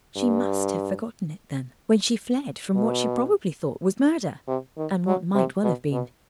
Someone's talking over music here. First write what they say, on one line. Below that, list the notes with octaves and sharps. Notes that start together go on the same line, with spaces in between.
She must have forgotten it, then, when she fled from what she probably thought was murder, and what might well have been.
G2
B2
C3
D#3
F#3
C3
B2
B2